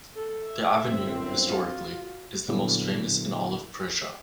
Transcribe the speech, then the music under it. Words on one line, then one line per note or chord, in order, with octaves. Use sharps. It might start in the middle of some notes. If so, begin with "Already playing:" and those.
The avenue, historically, is the most famous in all of Persia.
A4
E5
G1 F#2 C4
F4 F#4
A#2 D3 F#3 B3 E4 G#4